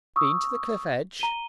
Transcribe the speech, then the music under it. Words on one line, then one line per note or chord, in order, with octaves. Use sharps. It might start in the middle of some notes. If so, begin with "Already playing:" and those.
"Been to the cliff edge?"
C#6 D#6 E6
A#5 D#7 G7